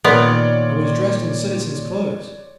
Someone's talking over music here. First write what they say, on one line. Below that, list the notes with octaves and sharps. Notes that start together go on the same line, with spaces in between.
I was dressed in citizen's clothes.
A#2 D#3 B3 A#4 C#5 D5 C6